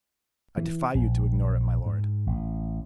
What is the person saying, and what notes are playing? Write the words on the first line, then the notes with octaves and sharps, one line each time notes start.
"I defy you to ignore it, my lord."
E3
A#1
G#2
A1